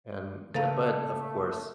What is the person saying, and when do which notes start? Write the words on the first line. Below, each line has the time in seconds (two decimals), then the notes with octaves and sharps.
and j but, of course,
0.54 C#3 A3 A#3 A4 B4 F5 A#5